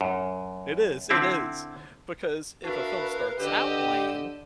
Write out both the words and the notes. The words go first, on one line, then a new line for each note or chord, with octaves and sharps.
It is, it is. Because if a film starts out lame
F#2
D3 C4 E4
D4 F#4 A#4 B4 E5 F5
D3 G4 D#5 E6